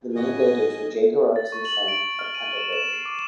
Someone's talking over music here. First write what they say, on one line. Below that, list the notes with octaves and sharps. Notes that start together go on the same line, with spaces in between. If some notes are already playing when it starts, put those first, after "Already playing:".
The main builders were J. Gerrard's and Son of Pendlebury.
A2 E3 F#4 D#5 G#5
A6
C#6
F#7
D7
F6
D#7
E7
E7
C7
D6